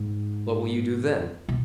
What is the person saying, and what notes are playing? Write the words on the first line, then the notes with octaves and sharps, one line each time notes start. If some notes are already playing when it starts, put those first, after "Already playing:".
"What will you do then?"
Already playing: G#2
B2